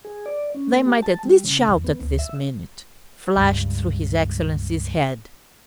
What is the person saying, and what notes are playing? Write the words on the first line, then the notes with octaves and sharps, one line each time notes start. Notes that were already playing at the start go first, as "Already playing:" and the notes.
"They might at least shout at this minute!" flashed through his Excellency's head.
G#4
D5
C#4
A#3
G4
A5
G3
C#3
E2
B3
D2
E5
C#2 G2